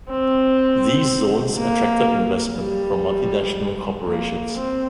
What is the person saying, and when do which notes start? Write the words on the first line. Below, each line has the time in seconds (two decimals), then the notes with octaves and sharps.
These zones attracted investment from multinational corporations.
0.11 C4
1.59 A#3
2.58 G3
4.07 A#3
4.57 C4